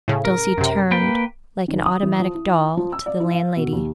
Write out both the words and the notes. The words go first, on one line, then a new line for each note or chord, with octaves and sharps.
Dulcie turned like an automatic doll to the landlady.
A2 C#3
A#4
F#2 C3
A#3 B4 G5
D#3
D#6
E3
F3
E4
F3
E6
D5
E4
F5
B2
D#2